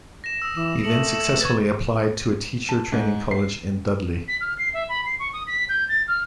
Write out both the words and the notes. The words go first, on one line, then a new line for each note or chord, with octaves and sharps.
He then successfully applied to a teacher training college in Dudley.
A#6 E7
D#6 E6
E3 D6 E7
A3 C#7 F#7
E7
B4 C#6 G#6 A6
A5
G#2
C7
B6
F6
C7
E5
B5
C7
C#6
D#6
B6
G6
A6
F6